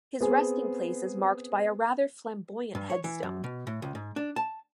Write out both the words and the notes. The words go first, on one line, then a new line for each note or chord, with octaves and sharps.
His resting place is marked by a rather flamboyant headstone.
B3 C4 G#4
G2
C#5
E3
F#2
B2
A2
C#2
G#2
D4
A5